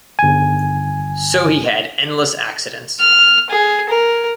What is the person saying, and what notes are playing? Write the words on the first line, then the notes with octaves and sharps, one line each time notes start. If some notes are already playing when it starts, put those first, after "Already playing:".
So he had endless accidents.
G1 G#5
F6
G#4
A#4